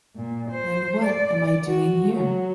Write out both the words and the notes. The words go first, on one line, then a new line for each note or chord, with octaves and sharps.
Then what am I doing here?
A#2
C5
D5
F#4
F#3